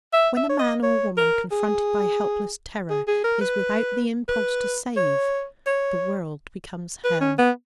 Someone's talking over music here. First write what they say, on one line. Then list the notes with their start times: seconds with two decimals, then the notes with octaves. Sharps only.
When a man or woman, confronted by helpless terror, is without the impulse to save, the world becomes hell.
0.13 E5
0.37 E5
0.49 C#5
0.59 D#5
0.83 C#5
1.17 A#4
1.52 G#4
2.90 G#4
3.07 G#4
3.24 A#4
3.41 B4
4.28 B4
4.96 C#5
5.66 C#5
7.04 B4
7.21 C#4
7.38 B3